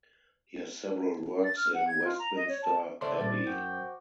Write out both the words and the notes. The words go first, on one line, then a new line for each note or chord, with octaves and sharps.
He has several works in Westminster Abbey.
A6
F6
F#5
G#6
F4
A#5
D#5
C#5
A5
C#2 A3 C5 D5 C6 D6
A#2 G3 D5
F#2 F#4 G5